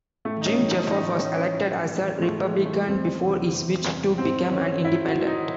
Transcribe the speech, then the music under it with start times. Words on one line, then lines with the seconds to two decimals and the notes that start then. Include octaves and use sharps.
Jim Jeffords was elected as a Republican before he switched to become an Independent.
0.25 A2 A3
0.41 D#4
0.46 C#4
0.58 E3
0.68 D#4
0.90 A2 D#4
1.12 C#4
1.24 E3
1.34 C#4
1.56 A2
1.89 E3
2.16 G#3
2.22 A2 A3
2.44 G#3
2.54 E3
2.65 A3
2.87 E2 C4
3.19 C3 E3
3.53 E2
3.85 C3 E3
4.18 G#2 C4
4.52 D#3 C#4
4.83 G#2 E4
5.06 F#4
5.16 D#3
5.27 D#4